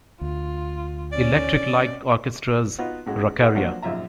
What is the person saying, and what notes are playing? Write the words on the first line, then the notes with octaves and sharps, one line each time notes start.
Electric Light Orchestra's Rockaria!
D2 F4
C#4 D5
B3 D#4 F4 F#4 B4
A2 C#3 G#3 F#4
D#4 E4 F#4 G#4 B4 C#5
F3 F#3 A#3 D4 F#4 C5
A#1 F#2 D#4 F4 E5 A#5